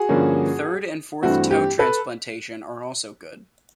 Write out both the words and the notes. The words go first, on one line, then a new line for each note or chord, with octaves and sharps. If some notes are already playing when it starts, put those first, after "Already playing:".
Third and fourth toe transplantation are also good.
Already playing: F#4 G#4
G2 D3 F3 A#3 C#4
G2 E3 A3 C4 F#4
G4
A4 B4